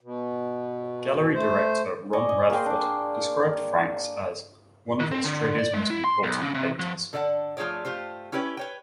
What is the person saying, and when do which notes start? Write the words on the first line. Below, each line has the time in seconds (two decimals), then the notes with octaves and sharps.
Gallery director Ron Radford described Franks as 'one of Australia's most important painters'.
0.01 B2
1.34 A3 C5
2.13 D5 D#5 G#5 C#6
2.29 D#5
2.50 A#3 G#4 G5 C6
2.66 D4 D5
5.00 D#3
5.11 C4
5.25 D3
5.58 D5
5.74 G#3
5.90 E4
6.04 C6
6.23 B1
6.43 C#3
6.54 C3
6.79 F3
7.13 D3 A4 D5 E5 F#5
7.57 F3 A3 F4 G#4 C#5 D5
7.85 A3 F4 G4 C5
8.32 C#4 E4 G4 B4 C#5
8.57 B4 C#5 G5